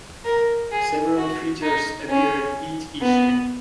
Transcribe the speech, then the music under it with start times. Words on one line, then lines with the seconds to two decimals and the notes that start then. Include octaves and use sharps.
Several features appear in each issue.
0.25 A#4
0.71 G#4
1.17 F#4
1.63 D#4
2.09 C#4
3.02 B3